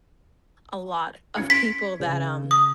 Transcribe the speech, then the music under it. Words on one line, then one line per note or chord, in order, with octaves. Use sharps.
a lot of people that, um,
C#4 G#6 C#7
C6 B6 D7
C#3
D#6